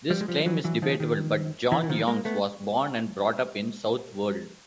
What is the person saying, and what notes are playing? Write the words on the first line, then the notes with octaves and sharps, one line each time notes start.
This claim is debatable, but John Youngs was born and brought up in Southwold.
F3 G3
G#3
F3 G3
E3 F#3
E3 F#3
D#3 F3
D#3
E3
E3
D#3 F3
G#3 A#3
A3 B3